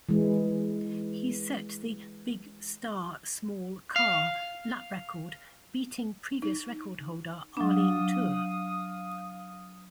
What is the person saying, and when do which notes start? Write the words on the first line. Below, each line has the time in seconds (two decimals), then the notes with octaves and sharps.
He set the "Big Star, Small Car" lap record, beating previous record-holder Arlene Tur.
0.09 E3 G#3
3.96 F5
6.42 D#4
7.57 F#3 D4 F5 D#6